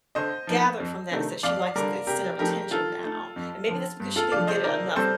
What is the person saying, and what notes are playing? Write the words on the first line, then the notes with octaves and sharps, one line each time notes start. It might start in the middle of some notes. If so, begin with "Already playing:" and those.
gathered from that, is that she likes the center of attention now, and maybe that's because she didn't get it enough
D3 C5 D#5
F3 A#3 D#4
F2
C3 D#3 A3 D4
F2 D5 F5
D3 G3 A#4 D5
C3 G4 A#4
F3 A3 C4 D#4 G4 A#4
D#3 F4 A4
A3 D#4
F2
D3 F3
G2
F4 A4
F3 A3 D4 D5 F5
C5 D#5
D#3 A#4 D5
G3 C4 A4 C5